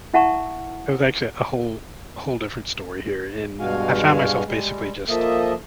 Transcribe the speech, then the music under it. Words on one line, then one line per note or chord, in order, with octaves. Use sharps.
it was actually a whole whole different story here, and I found myself basically just
E4 E5 F#5 A5 A#5 C#6
G2 B2 G#3 F#4 F5 G#5
G3 G#3
F3 A#3 A4 D#5 E5